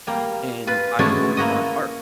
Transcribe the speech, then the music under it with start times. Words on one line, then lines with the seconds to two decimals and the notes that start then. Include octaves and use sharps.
And I work on art.
0.07 G3 A#3
0.67 F4 B4
0.99 G#3 A3 C#4 D4 E4 F#4
1.37 A#3 E4 F#4 D#5